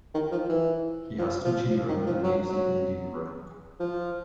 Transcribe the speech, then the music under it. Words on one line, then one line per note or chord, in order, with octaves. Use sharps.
He has two children and lives in Edinburgh.
D#3
F3
E3
F3
F3
F3
D#3
F3
F#3
F#3
F3